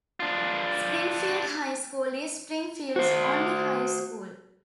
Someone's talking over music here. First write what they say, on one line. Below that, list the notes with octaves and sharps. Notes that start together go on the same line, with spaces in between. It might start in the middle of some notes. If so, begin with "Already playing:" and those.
Springfield High School is Springfield's only high school.
D4 F4
F#4 C5